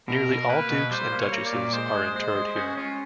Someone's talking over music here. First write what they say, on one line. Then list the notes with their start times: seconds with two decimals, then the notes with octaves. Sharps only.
Nearly all Dukes and Duchesses are interred here.
0.08 B2 A#4
0.29 B2
0.49 A#3 B4
0.70 B2
0.91 G3 C5
1.12 A#3
1.19 C#5
1.32 A#3
1.46 D5
1.53 A#2
1.73 G#3 C5
1.95 G#3
2.15 G#3 C5
2.35 G#3
2.56 C#4 F#4
2.77 C#4 F4